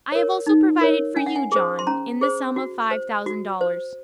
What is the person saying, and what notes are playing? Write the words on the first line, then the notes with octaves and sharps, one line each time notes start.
"I have also provided for you, John, in the sum of five thousand dollars."
A#4 C#5
D#4
A#4 C#5
C#4 G#5
F#5
G#5
G#4 C5
C6
C#4 A#5
G#4 C5
F#4
C5
F#4
C5